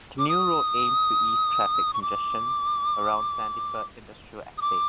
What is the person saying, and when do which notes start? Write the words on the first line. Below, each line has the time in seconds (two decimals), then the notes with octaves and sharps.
The new road aims to ease traffic congestion around Sandyford Industrial Estate.
0.19 D6
0.29 D#6
1.93 C#6
2.02 D6
4.58 D#6
4.61 D6